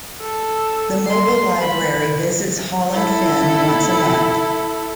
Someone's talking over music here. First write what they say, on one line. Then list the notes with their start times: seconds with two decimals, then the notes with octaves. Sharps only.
The mobile library visits Holland Fen once a month.
0.20 A4
1.07 C6
1.60 B5
2.93 E4 A4